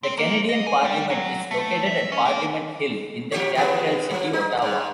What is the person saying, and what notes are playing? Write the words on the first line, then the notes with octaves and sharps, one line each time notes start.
The Canadian Parliament is located at Parliament Hill in the capital city, Ottawa.
C4
A#3
D#5
G#5
G3
F#3
A3
E5
C#4
A#3
F3 G4 C#5
C#3 F3 B3
F3
D#4
G#2